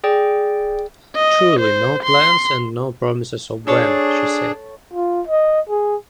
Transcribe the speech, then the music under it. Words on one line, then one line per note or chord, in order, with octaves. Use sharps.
"Truly, no plans and no promises of when," she said.
G#4 D5 G5
D#5
C5
C6
D4 G#4 A4 C#5 A5
F4
D#5
G#4